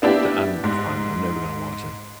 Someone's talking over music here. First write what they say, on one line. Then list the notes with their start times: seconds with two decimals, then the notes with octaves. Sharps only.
D I'm fine, I'm never gonna watch it.
0.02 B3 D4 E4 G4
0.64 G#2